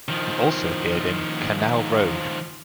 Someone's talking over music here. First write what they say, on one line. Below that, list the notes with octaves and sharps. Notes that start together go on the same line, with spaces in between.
He also appeared in "Canal Road".
D#3 F3